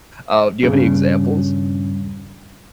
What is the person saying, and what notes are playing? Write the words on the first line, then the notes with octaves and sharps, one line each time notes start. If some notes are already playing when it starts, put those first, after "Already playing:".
Uh, do you have any examples?
D#1 G2 C#3